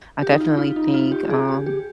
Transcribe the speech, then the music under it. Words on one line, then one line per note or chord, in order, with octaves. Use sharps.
I definitely think, um,
G4
D#4
F4
F4
D#4
F4
G4
G#4
G4
G4